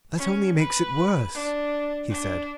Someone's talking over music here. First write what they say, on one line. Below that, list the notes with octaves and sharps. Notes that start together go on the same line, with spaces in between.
"That only makes it worse," he said.
C#4
B4
D4
D4